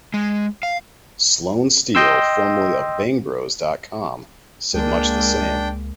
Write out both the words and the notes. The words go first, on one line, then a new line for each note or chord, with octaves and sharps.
Sloane Steel, formerly of Bangbros dot com, said much the same.
G#3
F5
D#5 G5 C6 E6
C#2 G#3 A#3 D4 G5